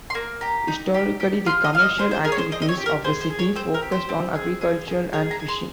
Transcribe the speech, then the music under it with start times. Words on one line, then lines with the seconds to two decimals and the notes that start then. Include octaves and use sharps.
Historically, the commercial activities of the city focused on agriculture and fishing.
0.10 C6
0.15 A#3 A#5
0.41 G4 A#5
0.68 D#4
0.94 G4
1.20 G4
1.46 F4 C6
1.64 D#5
1.73 F4 F5
1.82 D#5
1.98 G#4 C5
2.11 C5
2.24 G#4 A#4
2.32 C#5
2.38 C5
2.52 C4 D#5
2.62 D#5
2.69 C#5
2.77 G4
2.86 A#4
3.04 G#4 C5
3.21 C5
3.30 G#4
3.39 C#5
3.56 C4 C5
3.74 A#4
3.82 G4
3.92 C5
4.09 C4
4.35 G#4
4.61 G#4
4.88 G#4
5.13 G#4 C#5
5.31 A#5
5.40 G#4
5.48 C6